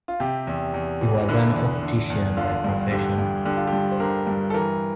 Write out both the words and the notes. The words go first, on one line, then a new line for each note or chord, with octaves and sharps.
He was an optician by profession.
F4
C3 G4
E2
E2
E3
D3 E4
E2
D3
E2
D3 F4
G2
D3 G4
G2
D3 G4
F4
G4
G2
C5
D3 A#4
G2
A4
E3 A#4